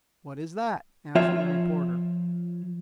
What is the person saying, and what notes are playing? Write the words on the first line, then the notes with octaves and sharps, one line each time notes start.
"What is that?" asked the reporter.
F3 F4 C#5 E5